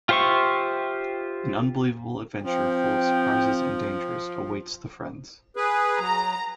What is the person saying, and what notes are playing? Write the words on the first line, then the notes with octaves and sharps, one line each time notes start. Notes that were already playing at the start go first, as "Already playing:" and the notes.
An unbelievable adventure full of surprises and dangers awaits the friends.
F4 G4 C5 E5 C#6
F3 C4 G5
G#4 B4
F#3 A#5